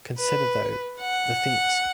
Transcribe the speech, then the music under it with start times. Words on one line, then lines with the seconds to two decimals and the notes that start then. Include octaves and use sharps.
Consider though, the themes.
0.18 B4
1.00 F#5